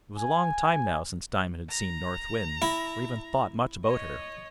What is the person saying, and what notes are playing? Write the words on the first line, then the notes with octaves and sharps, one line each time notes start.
It was a long time now since Diamond had seen North Wind, or even thought much about her.
G#5
A#5
E4
C#5 D#5